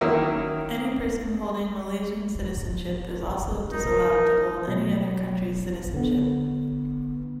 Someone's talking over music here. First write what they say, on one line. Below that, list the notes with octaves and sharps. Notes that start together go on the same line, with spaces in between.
Any person holding Malaysian citizenship is also disallowed to hold any other country's citizenship.
D#3 F#3 A#3 C#4 E4
D#4 A#4
B2 F#3
D3 B3